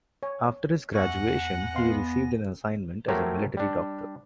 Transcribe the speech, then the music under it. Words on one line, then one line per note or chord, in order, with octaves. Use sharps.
After his graduation, he received an assignment as a military doctor.
C#5 G#5
E2 E5 F#5 G#5 C#6 A#6
B3 D#5 F5 C6
F#3 A3 C4 G4 A#4 C#5
G3 D4